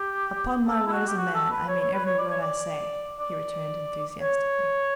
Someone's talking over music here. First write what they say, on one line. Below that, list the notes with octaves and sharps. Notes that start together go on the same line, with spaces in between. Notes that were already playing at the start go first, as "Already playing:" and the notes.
"Upon my word as a man, I mean every word I say," he returned enthusiastically.
Already playing: G4
A4
E4
F#4
G4
F#4
A4
B4
C#5
C#5
B4
C#5
D5
C#5
D5
D5
C#5